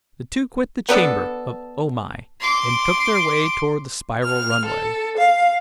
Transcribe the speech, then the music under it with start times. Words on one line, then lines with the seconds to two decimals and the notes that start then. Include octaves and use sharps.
The two quit the chamber of O-Mai and took their way toward the spiral runway.
0.89 B3 D4 A4
2.40 C6 D6
4.23 F6
4.65 A4
5.17 F5